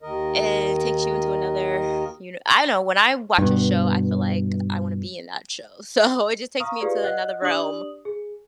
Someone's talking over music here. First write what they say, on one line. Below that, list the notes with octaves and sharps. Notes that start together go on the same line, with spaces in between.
it takes you into another, you kn I don't know, when I watch a show, I feel like I wanna be in that show. So, it just takes me into another realm.
D#2 D#3 A#4 D#5
G2 B2
F5 A#5 C#6 D#6 F6
F4 G4 G#4 B4 D5 F5
D#5 F#5 F#6
D4 G4 D5 D#6 F#7
G#4